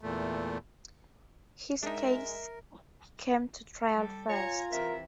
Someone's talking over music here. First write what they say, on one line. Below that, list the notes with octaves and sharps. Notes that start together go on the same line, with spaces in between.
His case came to trial first.
E2 A#2 A3
G#3 D4 D#4 A#4 E5
G3 A4
F4 C#5 G#5 A#5 G#6
C3 E3 E4 A#4 E5